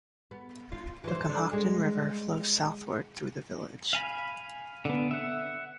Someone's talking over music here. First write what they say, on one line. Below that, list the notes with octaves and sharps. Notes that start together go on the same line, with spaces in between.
The Conhocton River flows southward through the village.
B3
F4
E3 C5
D4 A4
G#3
F5 G#5 B5
D3 B3
E5 F#5